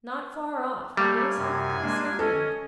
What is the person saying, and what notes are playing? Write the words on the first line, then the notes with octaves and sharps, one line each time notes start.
'Not far off--it is half-past nine.
G3 A3 A#3 G#5
F#2 C3
G#3 A#3 D4
C#4 A4 D#5